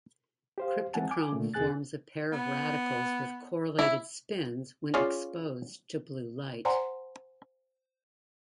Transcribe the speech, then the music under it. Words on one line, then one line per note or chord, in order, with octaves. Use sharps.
Cryptochrome forms a pair of radicals with correlated spins when exposed to blue light.
G4 C5 F5
E3 G#3 C4 F#5 G#5 A5
G#5 D6
A#2 D3 A3
E2 C3 G#4 G#5 F#6 A6
B3
E4
C#4 F4 G#4 D5 F5
C5 D5 F#5 G#5 A#5 C6